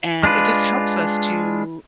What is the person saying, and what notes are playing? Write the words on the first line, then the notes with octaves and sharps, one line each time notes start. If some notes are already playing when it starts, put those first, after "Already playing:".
and it just helps us to
G#3 D4 F4 B4